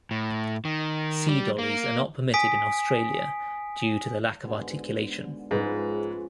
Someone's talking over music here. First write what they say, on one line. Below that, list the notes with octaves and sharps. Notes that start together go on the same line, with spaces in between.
C-dollies are not permitted in Australia, due to the lack of articulation.
A2
D#3
G3
A#3
G#5 D#6 B6 D7
G#2 B2 D3
G#2 F3 G#3 C#4 B4